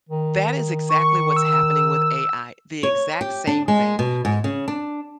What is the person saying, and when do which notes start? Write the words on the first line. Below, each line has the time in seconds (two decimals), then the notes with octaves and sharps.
that is exactly what's happening with AI, the exact same thing.
0.09 D#3
0.89 C#6
1.36 E6
2.83 C#5
3.21 G4
3.47 D4
3.68 G#3
3.99 B2
4.25 G#2
4.44 C#3
4.68 D4